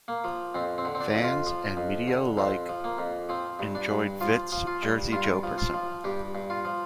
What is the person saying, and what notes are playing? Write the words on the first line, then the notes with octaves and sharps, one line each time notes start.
Fans and media alike enjoyed Vitt's "Jersey Joe" persona.
A#3
F3
F2 C4
C4
D3
C4
D4
F2
F4
F3
F2
D3
F2 C4
F3
A#3
F2
F3 C4
G2
D4
G2
F3 F4
F3
F4
G2
G2 F4
F3
F4
F3
G2 G4
G2
F4
F3